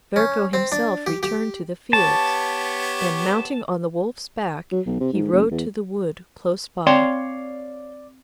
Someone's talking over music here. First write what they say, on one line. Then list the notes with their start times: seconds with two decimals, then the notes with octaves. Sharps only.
Ferko himself returned to the fields, and mounting on the wolf's back he rode to the wood close by.
0.16 C#4
0.53 C4
0.72 D4
1.07 G4
1.23 G4
1.93 B3 G4 C#5 A5
4.72 F#3
4.86 B1
5.00 C3
5.13 G#2
5.32 F#1
5.51 E2
6.87 C4 C#5 D5 F5 G5 C6